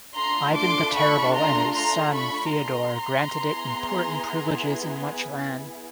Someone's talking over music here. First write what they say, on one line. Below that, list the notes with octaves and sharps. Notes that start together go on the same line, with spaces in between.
Ivan the Terrible and his son Feodor granted it important privileges and much land.
A3 D4 F4 A4 A#5 C6
C6 D6
B5 C#6
A#5 C6
A#5 C6
B5 C#6
A#5 C6
B3 E4 G#4